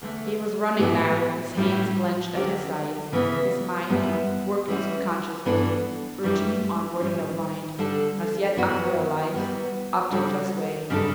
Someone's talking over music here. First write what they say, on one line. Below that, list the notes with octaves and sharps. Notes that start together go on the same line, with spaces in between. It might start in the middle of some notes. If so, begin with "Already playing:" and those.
He was running now, his hands clenched at his sides; his mind, working subconsciously, urging him onward in a blind, as yet unrealised, objectless way.
E2 D3 A3
A2 E3 B3 E4 G4
A2 G3 C#4 E4 G4
E2 D3 F#3 C#4 G4
C#3 E3 B3
F#2 E3 G3 B3 E4
E3 G3 C#4 F#4
G2 E3 B3 D4 A4
F#2 E3 G3 D4 G4
A2 G3 C#4
D3 G3 D4 A4
F#2 E3 B3 F#4
E3 G3 B3 F#4
C#3 G3 D4 F#4 A4
F#2 C#3 G3 D4 A4